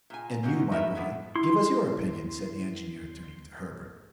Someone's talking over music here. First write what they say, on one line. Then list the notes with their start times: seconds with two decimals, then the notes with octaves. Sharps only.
"And you, my boy, give us your opinion," said the engineer, turning to Herbert.
0.10 A#2 G#5
0.43 C4 C#4 D#4 F4 F#4
0.72 F#4 A#4 B4 D#5 E5
0.95 D3 B3 E4 E5
1.36 E4 C6